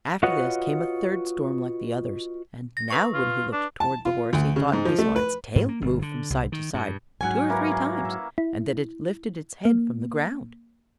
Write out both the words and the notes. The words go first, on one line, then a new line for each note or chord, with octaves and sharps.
After this came a third storm like the others; and now when he looked toward the horse he thought he saw its tail move from side to side two or three times, and that it lifted its head from the ground.
F4 F#4 B4 C#5 D#5 F#5
A#6
B4 C#6 A#6
F4
D4
A5
F4
D2
C#3
G#2
F3
A3
B4
G#2
A#3
G1
D3
C2
D#3
G2
G#2 F#3 C#4 F#5 G#5
E3 A#3 A#4
G#4
E5
E4
A#3